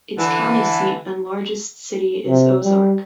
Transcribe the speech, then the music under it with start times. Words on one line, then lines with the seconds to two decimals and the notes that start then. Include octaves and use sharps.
Its county seat and largest city is Ozark.
0.17 D3 E3
2.27 C3
2.63 G3